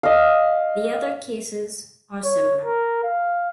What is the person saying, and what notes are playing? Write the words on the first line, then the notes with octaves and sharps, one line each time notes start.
The other cases are similar.
D#5 F5
C#5
A#4
F5